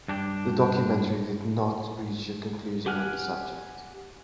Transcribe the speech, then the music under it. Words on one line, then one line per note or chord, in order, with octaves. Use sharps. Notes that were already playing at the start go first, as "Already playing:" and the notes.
The documentary did not reach a conclusion on the subject.
G2 D4 G4
G4 F#5 G#5 F6 F#6